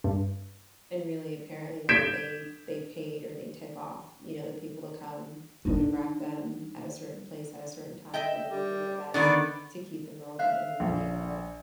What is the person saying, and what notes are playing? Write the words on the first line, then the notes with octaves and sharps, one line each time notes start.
And really apparently, like, they they paid or they tip off, you know, the people to come photograph them at a certain place at a certain time when they're looking their best to keep them relevant in the media, but,
G2
G6 G#6 B6 D7 E7
D4 D#4
D#5 E5 G5
G3
D3 D#3 B3 D5
E5 F5 F#6
A#1